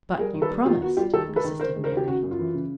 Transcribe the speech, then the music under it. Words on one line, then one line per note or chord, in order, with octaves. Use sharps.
"But you promised," persisted Mary.
G3 G#4 A#4
D#3
A4 B4
G3
D#3 F4 G4
B3 F#4
G3 F4 G4
D#3 G4 A4
G#3
A4 B4
D#3
D#3 A#4 C5
G#3
A#4 C5
D#3
G4
C#3 F#4
F#2
F4
E3
C#3